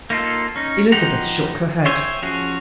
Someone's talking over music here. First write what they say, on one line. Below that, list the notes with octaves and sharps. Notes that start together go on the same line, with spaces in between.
Elizabeth shook her head.
A#3 D#4 F4 A4
C#4 D#4
F3 D#4 G4 F#5 A#5
C5 C#5 E5 G5 G#5
F3 C#4 F#4 G#4